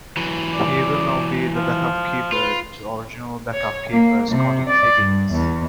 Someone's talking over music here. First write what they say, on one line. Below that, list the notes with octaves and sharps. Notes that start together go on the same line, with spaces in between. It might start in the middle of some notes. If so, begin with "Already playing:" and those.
He will now be the back up keeper to original backup keeper Scott Higgins.
E3 F#3
D5
F3
F4 B4
C#5
A#3
C3
D5
G2
E2